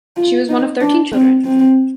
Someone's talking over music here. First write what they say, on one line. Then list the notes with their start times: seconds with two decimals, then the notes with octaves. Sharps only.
She was one of thirteen children.
0.17 F4
0.49 D#4
0.81 D4
1.13 C4
1.45 C4